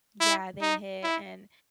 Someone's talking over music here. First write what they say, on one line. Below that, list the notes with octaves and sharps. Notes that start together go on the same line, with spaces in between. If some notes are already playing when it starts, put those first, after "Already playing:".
Yeah, they hit and, uh,
E4
D#4
E4